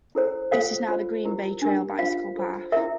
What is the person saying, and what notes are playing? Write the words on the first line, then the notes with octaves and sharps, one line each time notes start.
This is now the Green Bay Trail bicycle path.
E4 A4 C5
F4 A4 C5 F5
F4 C5
E4 G4 A#4
D4 G4 A#4
F4 C5 F5
F4 A4 C5
E4 A#4 E5